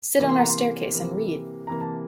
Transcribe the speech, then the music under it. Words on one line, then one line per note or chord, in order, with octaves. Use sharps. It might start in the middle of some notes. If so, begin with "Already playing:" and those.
Sit on our staircase and read.
C3 E3 A#3
C6
A#5
C6
C3 E3 A#3
C3 E3 A#3 A#5
A5